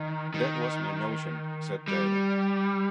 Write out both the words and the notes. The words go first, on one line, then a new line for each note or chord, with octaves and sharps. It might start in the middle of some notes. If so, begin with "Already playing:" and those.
"That was my notion," said Tyler.
Already playing: D#3
D#3
G3